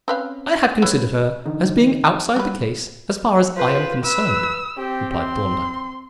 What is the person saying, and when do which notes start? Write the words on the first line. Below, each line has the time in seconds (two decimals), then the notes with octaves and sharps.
"I have considered her as being outside the case as far as I am concerned," replied Thorndyke.
0.08 C4 C#4 B4 F5
0.82 E4 B4 C#5
1.46 D3 E3 D#4
2.36 F#3 G3 B4
3.56 F4 B4 C5
4.04 B4 E6
4.78 C4 G4
5.19 C6